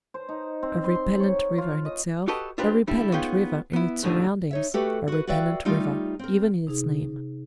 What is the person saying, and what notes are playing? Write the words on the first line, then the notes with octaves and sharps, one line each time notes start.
A repellent river in itself, a repellent river in its surroundings, a repellent river even in its name.
C5
D#4
C4
C6
C6
C#5
F4
D#5
F#4 G4 A4 B4 D#5
D4 F4 G4 G#4 B4 C5
D3 G3 D4 E4
B3 C#4 D#4 F4 G#4 G5
B3 E4
D#2 A2 D3 D4 D#4
D#4 C#5 E5
A3 F#4 G4 A4 B4
F#4 B4
F#4 B4 D5 E5 F5 G5
G3 A3 D#4 F4 G4
C4 A#4
C3 D#4 G#4